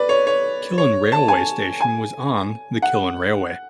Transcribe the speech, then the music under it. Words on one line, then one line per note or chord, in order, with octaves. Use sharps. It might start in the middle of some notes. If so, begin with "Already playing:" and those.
Killin railway station was on the Killin Railway.
Already playing: B4 D5
C#5
C#5
C#5
A5
G#5
G#5
F#5